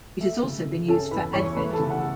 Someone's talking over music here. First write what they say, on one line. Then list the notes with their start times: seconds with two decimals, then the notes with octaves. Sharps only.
It has also been used for Advent.
0.21 A3 E5
0.43 C#3
0.66 C#3
0.88 C#4 A4 A5
1.11 E2 B4 B5
1.33 E2 C#5 C#6
1.57 A3 B4 B5
1.73 A4 A5
1.79 C#3
1.90 F#5